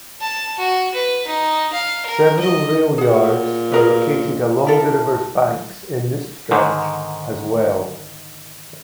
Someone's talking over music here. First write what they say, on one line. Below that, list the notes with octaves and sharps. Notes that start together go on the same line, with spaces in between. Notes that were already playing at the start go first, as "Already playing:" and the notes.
Several rail yards are located along the river's banks in this stretch, as well.
A5
F#4
B4
D#4
F5
A#4
D#5
A#2 G#4 F#5
G#4 A#4 B4
E4 A4 A#4
G#2 D3 D#3